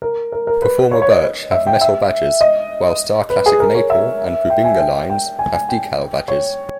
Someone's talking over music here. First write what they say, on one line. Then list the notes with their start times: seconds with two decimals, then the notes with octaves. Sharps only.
Performer Birch have metal badges while Starclassic Maple and Bubinga lines have decal badges.
0.02 A#4
0.32 A#4
0.47 A#4
0.62 B4
0.91 C#5
1.02 C#5
1.11 D#5
1.51 E5
1.67 G5
1.81 E5
2.41 D#5
3.30 B4
3.46 G#4
3.60 A#4
3.75 C#5
3.90 E5
4.50 G5
4.65 G#5
4.80 G5
5.10 G5
5.39 G#5
5.54 G#5
5.69 G5
6.28 C#5